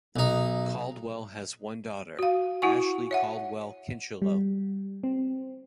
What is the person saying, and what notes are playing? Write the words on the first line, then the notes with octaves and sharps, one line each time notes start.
Caldwell has one daughter, Ashley Caldwell Kincheloe.
B1 D#4
F#4 F5
E4 F#4 F#5 G#5 C#6
C#5 E5 F#5
G3
C4